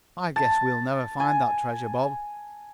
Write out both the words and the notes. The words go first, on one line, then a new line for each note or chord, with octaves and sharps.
I guess we'll never find that treasure, Bob.
A5
G#5